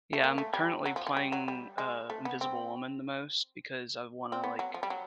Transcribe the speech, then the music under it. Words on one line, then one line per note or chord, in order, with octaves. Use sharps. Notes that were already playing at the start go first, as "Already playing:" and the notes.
Yeah, I'm currently playing, uh, Invisible Woman the most, because I wanna, like,
A3
A#3
A3
G3
F#3
F3
F3
G3
F#3
G3
G#3
A3
B3
C4
C4
B3
F#3
F3
G3
F#3